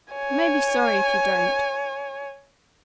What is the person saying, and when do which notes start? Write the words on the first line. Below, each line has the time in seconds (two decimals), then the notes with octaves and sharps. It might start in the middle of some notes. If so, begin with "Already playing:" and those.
"You may be sorry if you don't."
0.14 C#5 G#5